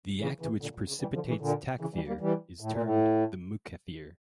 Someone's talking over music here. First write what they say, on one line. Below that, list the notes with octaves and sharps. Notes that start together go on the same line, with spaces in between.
The act which precipitates takfir is termed the mukaffir.
C#3 E3
C#3 E3
A#2 D3
A#2
C#3
E3 G3
D3 F3
C#3 E3
A#2 D3
C#3 E3
E3 G3
G3 A#3
E3 G3
A2
A#2
A2